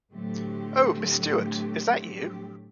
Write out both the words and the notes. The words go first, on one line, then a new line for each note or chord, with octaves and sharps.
Oh, Miss Stewart, is that you?
A2 D3 F#3 A3 C4 G4